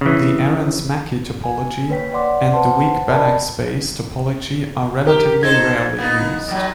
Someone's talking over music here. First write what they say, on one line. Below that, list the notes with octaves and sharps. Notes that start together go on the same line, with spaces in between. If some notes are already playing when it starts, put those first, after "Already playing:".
The Arens-Mackey topology and the weak Banach space topology are relatively rarely used.
C#3 E3
G#5
A#3 B4 C#5 G5 B6
D5 F#5 C6 D6
B4 C5 F#5 A5 C6
A#4 D5 D#5 A5 B5
G4 A#4
D#4 A4 C5 G#6
A#3 B3 D#4
A#2 F#3